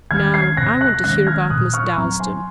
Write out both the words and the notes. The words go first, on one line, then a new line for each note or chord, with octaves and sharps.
Now I want to hear about Miss Dalstan.
D#3 G#3 C#4 F6 G#6
G#6 C7
C3 F#6 A#6
F#6 A#6
D#3 G#3 C#4 F#6 A#6
F6 G#6
A#2 D#6 F#6
C#6 F6
F#3 C4 A#5 C#6
G#5 C6